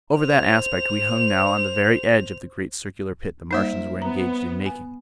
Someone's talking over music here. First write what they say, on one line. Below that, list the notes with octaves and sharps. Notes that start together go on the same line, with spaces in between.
Over that aspect we hung now on the very edge of the great circular pit the Martians were engaged in making.
C5 F7
G3 A#3 D#4 A#4 C5 E5
B3 A#5
G#5